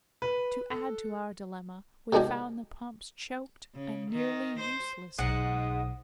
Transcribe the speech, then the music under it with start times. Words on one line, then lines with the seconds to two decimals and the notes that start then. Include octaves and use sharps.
To add to our dilemma, we found the pumps choked and nearly useless.
0.22 B4
0.70 A4
2.13 C3 D#3 G#3 D4 F#4 G4
3.75 C#3
4.11 D#3
4.60 C5
5.19 B1 D#4 G#4 C5 F#5 D#6